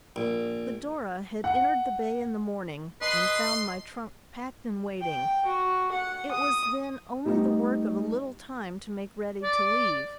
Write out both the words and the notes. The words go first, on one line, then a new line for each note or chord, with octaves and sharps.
The "Dora" had entered the bay in the morning and found my trunk packed and waiting; it was then only the work of a little time to make ready to leave.
A#1
F#5
B4 D#5 A5 C6
G5
F#4
F#5
D#6
G3 A3 B3 D#4
D5